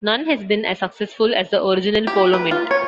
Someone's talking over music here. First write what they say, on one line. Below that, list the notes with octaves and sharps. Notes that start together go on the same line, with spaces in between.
None has been as successful as the Original Polo mint.
G4
B4
F4
C#5